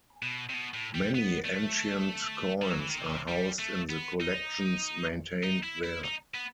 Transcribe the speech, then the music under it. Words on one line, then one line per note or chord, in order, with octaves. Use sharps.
Many ancient coins are housed in the collections maintained there.
B2
C3
B2
A2
G3
B3
A3
G3
F#3
E3
D#3
C3
G3
A3
B3
D#4
D#4
E4
E4
D#4
B3